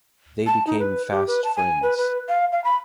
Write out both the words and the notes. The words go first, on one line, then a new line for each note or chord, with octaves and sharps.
They became fast friends.
A5
D#4
B4
G4
B4
A5
G#5
B4
B4
F5
F5
B5